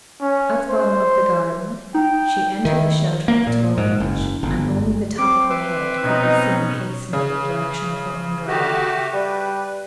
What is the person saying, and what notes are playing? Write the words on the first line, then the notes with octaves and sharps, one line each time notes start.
At the bottom of the garden she entered the shelter of the tall hedge, and only the top of her head could be seen hastening in the direction of her own dwelling.
C#4
C5
D#4 G5
D#3 E4
A#3
A#2
G#2
F#1
G1
C4 D6
B4 E5 C6 D6
B2 C#4 D#4
C#3
A3 F#4 G4
G3 B4